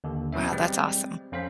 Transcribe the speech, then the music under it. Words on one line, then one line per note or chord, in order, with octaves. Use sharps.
Wow, that's awesome.
D#2 D3
B2 E3 C#4 E5
G3 G#3 C4
F2 C#4 C5 F5 B6